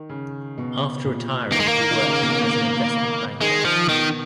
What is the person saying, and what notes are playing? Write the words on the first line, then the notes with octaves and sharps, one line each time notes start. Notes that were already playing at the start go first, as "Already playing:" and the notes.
After retiring he worked as an investment banker.
Already playing: D#3
C#3
B2
A#2
D#3 A#3
G#3
A#3
D#3
C#3
B2
D#3 G#3
F3
B2 D#3